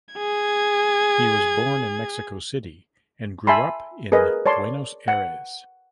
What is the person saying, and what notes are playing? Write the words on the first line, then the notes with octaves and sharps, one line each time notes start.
He was born in Mexico City and grew up in Buenos Aires.
G#4 G#6
E5 G#5 A5 B5 C6
G#4 A#4 B4 D#5
C#5 D5 A5 C6
F#5